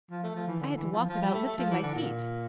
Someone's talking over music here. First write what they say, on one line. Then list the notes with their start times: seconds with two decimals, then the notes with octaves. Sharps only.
I had to walk without lifting my feet.
0.11 F3
0.23 A3
0.35 F3
0.48 E3
0.60 D3
0.76 E3
0.92 F3
1.09 F3
1.22 G3
1.34 A3
1.46 A3
1.58 F3
1.71 E3
1.83 D3
1.95 A#2